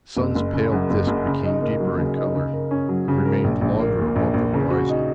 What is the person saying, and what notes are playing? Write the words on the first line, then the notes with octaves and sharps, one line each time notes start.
The sun's pale disc became deeper in colour, and remained longer above the horizon.
F#1
F#1
C#3
F#2
F#1
F#1
C#3
D#4
A#3
F#3
C#3
D#4
C#3
A#4
C#4
F#3
C#3
A#4
A#1
A#1
A#3
A#2
A#1
A#1
C#3
F#4
D#4